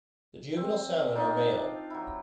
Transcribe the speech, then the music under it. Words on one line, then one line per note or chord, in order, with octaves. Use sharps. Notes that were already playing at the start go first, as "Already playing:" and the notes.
The juvenile salmon are male.
C4
D4 D#4 F4
F5
F#3 E4